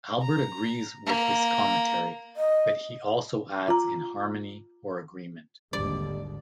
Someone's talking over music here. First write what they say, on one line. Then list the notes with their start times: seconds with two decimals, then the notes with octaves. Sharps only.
Albert agrees with this commentary but he also adds in harmony or agreement.
0.21 A#5
1.06 A#3
2.37 D#5
3.68 F4 A#5
5.73 G#1 D#2 D3 G3 D5